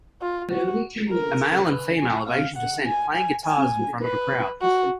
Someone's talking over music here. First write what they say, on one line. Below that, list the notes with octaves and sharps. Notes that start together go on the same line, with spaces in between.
A male and female of Asian descent playing guitars in front of a crowd.
F4
F#4
A#4
B4
G#5
F5
F#5
G#5
G#5
G#5
B4
F#4